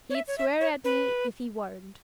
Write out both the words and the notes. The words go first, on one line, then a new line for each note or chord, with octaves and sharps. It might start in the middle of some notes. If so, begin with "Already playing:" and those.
'He'd swear at me if he weren't.
C#5
E5
C#5
E5
C#5
B4